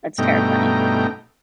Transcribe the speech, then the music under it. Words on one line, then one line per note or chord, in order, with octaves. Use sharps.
That's terrifying.
G2 B2 A3 D#4 G5 A#5